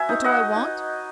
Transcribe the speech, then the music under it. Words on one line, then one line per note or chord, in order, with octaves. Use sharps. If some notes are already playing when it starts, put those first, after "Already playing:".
What do I want?
Already playing: F#4 B4 E5 G#5
D#4
D#5 F#5
D#4